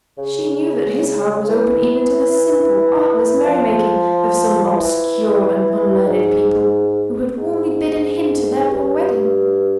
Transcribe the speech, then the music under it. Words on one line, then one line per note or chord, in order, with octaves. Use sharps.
She knew that His heart was open even to the simple, artless merrymaking of some obscure and unlearned people, who had warmly bidden Him to their poor wedding.
C#3
E3
F3
F3
E3
G#2
G#2
G2